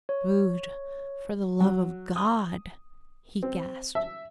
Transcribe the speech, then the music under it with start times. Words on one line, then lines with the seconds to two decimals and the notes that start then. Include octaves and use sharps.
"Food, for the love of God," he gasped.
0.09 C#5
1.60 F#3
2.16 D#6
3.43 C4
3.95 E5